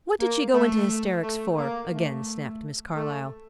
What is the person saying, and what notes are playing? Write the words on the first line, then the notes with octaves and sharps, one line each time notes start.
"What did she go into hysterics for?" again snapped Miss Carlyle.
A#3
A3
A3
A#3
A3
A3